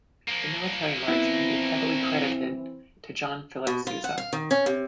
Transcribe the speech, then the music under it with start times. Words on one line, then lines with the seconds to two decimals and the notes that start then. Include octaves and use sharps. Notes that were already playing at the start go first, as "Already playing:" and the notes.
The military march can be heavily credited to John Philip Sousa.
0.28 F3 A#3
1.08 E3 B3 C4 E4
3.67 B2
3.87 F4
4.04 F#5
4.18 F5
4.33 D#3
4.51 C#4
4.66 C3